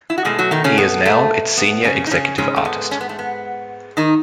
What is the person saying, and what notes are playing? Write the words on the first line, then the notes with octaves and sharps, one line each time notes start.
He is now its senior executive artist.
E4
F#4
B2 G#3 A3 G#4
F#3 F#4
D#3 D#4
C#3 C#4
B3
A3
B3
C#3 C#4
D#4
C#3 C#4
G#2 C#3 G#3 C#4
A3
B3
C#4
B3
A3
B3
D#3 D#4